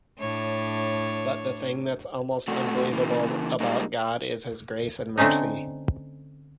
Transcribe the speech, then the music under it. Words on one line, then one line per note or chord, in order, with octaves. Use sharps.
But the thing that's almost unbelievable about God is His grace and mercy.
A2 D4 C#5
C3 A3 F#4
C#3 E3 A#3
G3 G#3 A#3 D#4
D3 A3 C4 C#4 D#4